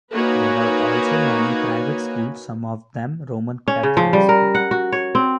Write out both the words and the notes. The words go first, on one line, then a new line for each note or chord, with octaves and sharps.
There are also many private schools, some of them Roman Catholic.
A#3 D#4 F#4 B4 C#5 G#5
C#4
C#3
F3
G3
A#4
F#5
F#4
C#5
C4